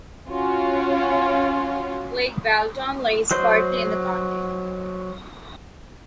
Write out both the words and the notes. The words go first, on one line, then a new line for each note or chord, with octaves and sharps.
Lake Balaton lies partly in the county.
C#4 F4 F#4 C#5
F#3 C5 D#5 C6